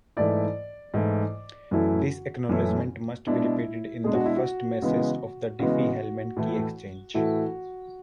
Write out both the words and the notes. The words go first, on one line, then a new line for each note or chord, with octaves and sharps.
This acknowledgement must be repeated in the first message of the Diffie-Hellman key exchange.
G#2 E3 A3 E4 D5
G#2 E3 A3 E4
F#2 E3 A3 C#4 E4 F#4
F#2 E3 A3 C#4 E4
B2 G#3 D4 E4
B2 G#3 D4 G#4
F#4
E4
F#4
C#3 E3 G#3 B3
C#3 E3 G#3 B3 F#4
A2 E3 A3 E4
A2 E3 A3 E4 F#4